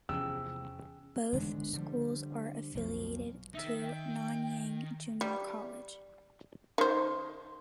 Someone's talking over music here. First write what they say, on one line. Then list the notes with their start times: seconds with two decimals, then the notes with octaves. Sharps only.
Both schools are affiliated to Nanyang Junior College.
0.09 E2 C3 F3 C#4 G#4 G5 E6
1.32 E1 D3 G#3 D4
1.73 D3 F3 G3
2.75 B1 F2 B2 F3
3.55 D#3 D#4 E5
3.84 G5
5.21 G3
6.78 D#3 C5